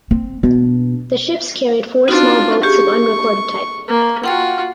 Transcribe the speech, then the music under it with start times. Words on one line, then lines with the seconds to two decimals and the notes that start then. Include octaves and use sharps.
The ships carried four small boats of unrecorded type.
0.11 C4
0.43 B2 D4
2.08 C4 D4 D#4 F4 F#4
2.63 G4 G#4 C#6
3.88 A#3
4.24 F4 F#4 F#5 G5 F6